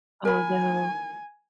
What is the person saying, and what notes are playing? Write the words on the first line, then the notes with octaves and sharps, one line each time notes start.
Oh, no.
A#4 G#5 B5